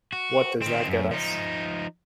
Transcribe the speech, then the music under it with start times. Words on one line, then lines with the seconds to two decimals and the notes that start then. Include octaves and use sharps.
What does that get us?
0.13 F#4
0.62 D#3 C4
0.88 F#2
1.11 F3 D#4